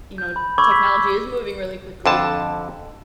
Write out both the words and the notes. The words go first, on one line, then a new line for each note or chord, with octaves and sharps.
you know, technology is moving really quickly.
G6
B5
B5 C#6 D6 E6 G#6
B6
F2 D3 A5